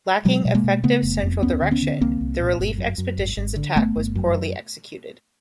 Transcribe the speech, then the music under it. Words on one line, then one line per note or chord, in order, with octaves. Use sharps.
Lacking effective central direction, the relief expedition's attack was poorly executed.
B2 F#3 G#3
B2
G#3 A#3
B2
C#3 A3 B3
F1
F2
D2 B3 C#4
D3
B3 C#4
D3
C2 A#3 C4
C2
A#2
G1
F#2
F#2
G#1
G#1
D3
G1 A3 B3
G1
F#2